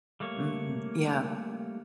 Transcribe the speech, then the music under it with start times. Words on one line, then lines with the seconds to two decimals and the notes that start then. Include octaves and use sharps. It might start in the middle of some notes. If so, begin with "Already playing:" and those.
Mm, yeah.
0.20 G3 A3 A#3 C#5